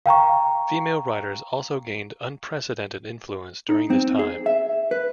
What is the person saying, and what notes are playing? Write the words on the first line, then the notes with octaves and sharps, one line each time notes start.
Female writers also gained unprecedented influence during this time.
F5 G5 A#5 C#6
D#4
C4
G#4
E5
B4